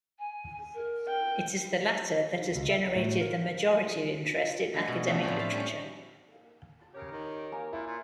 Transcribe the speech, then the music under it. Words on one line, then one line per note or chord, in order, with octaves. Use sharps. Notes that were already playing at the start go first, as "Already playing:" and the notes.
It is the latter that has generated the majority of interest in academic literature.
G#5
A#4
G5
C#2
E5
A2
A#4
D3 G#3 A3
B2
E2 C#3 A3 D4 E5 A#5
A2 F3 C4 E4 F4 E5
E5 F5 A5
G3 C#4
C#3 G4 A#4 C#5
D#3
A#3 G#5
A#2 E4
A#2